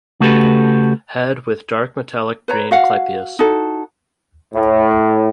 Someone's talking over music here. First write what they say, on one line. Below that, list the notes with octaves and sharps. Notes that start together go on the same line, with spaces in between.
Head with dark metallic green clypeus.
C#3 A3 F#4 G4 A4 B4
B4 C#5 A#5
F#4 F5 F#5
D#4 E4 F#4 A4
A2